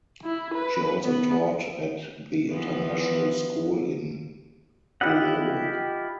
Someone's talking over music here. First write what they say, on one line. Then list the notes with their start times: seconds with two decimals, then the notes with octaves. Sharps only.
She also taught at the international school in Bulolo.
0.24 E4
0.55 B4
1.04 B3
2.50 E3 F3 B3
5.01 E4 F4 G4 D#5 F#5